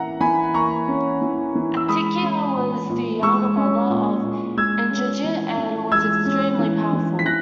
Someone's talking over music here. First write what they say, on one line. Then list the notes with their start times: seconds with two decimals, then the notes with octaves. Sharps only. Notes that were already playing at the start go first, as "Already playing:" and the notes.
Atikaya was the younger brother of Indrajit and was extremely powerful.
Already playing: E3 A#3 C#4 E5 F#5 A#5
0.21 E3 G#5 B5
0.54 A#3 A#5 C#6
0.88 C#4
1.22 E3
1.55 E3
1.77 E6
1.88 G#3 B5 D#6
2.22 C#4
2.56 A#2
2.90 A#2
3.23 G#3 C#6 E6
3.56 C#4
3.90 A#2
4.23 A#2
4.57 G#3 E6 G#6
4.90 C#4
5.24 E3
5.58 E3
5.92 G#3 E6 G#6
6.25 C#4
6.59 E3
6.93 E3
7.19 B6
7.25 E3 F#6 A#6